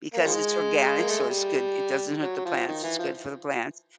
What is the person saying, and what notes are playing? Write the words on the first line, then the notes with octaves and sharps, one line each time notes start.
because it's organic so it's good, it doesn't hurt the plants, it's good for the plants,
A#3
D#3 F3 G#3
A#3
A3
G#3
G3
F#3
F#3
F3
D#3
E3
F3